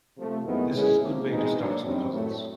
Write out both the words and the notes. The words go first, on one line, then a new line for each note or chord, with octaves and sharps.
This is a good way to start some puzzles.
C3 F3 A3
F#2 D#3 G#3 B3 E4
G#3 C#4 E4 G#4
C3 F3 A#3
E2 B2 G#3 C4 D#4
F#3 A#3 D4
F#2 D#3 G3 C4
A2 F#3 A3